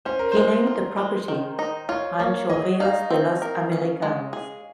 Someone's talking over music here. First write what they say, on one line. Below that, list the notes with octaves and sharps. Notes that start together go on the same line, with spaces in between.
He named the property "Rancho Rio de los Americanos".
C#4 C5
A#4
G#3 C5
F4
G#3
D#3
D#4
F4 C#5
A#3 C#5
G#4 D#5
D#4 F5
C4
A#4
C#4
G#3
G#4